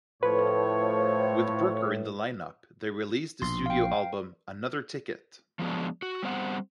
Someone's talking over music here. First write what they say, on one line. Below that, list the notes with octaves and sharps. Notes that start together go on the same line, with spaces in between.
With Brooker in the lineup, they released the studio album "Another Ticket".
A2 F3 B4 C#5
A#1 B2 C6
F5 G5
F3 F#3 G#3 B3 D4
F#4
G3 B3 C4 C5 F5 F#5